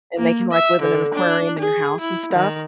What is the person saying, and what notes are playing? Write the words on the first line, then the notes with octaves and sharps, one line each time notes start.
And they can like live in an aquarium in your house and stuff,
A#3
E5
D3
D4
G#4
E4
D#3